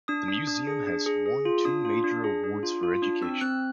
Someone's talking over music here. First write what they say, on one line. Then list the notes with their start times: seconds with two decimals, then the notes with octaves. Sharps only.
The museum has won two major awards for education.
0.08 D4 D#6
0.28 D4
0.47 D4
0.67 G#4
0.87 D4
1.06 G#4
1.26 G#4
1.45 F4
1.65 D4 D#6
1.85 F4
2.04 D4
2.24 G#4
2.44 D4
2.63 F4
2.83 F4
3.02 D4
3.22 C4 E6
3.41 C4 F#6